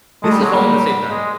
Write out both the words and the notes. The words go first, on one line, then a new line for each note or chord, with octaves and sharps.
This is all in the same night
G#3 A3
G3
F#3 G#3
G3 A#3
G#3